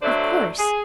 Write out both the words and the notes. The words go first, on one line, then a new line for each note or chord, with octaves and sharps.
"Of course!"
D3 F#3 A3 C5 D5
G#4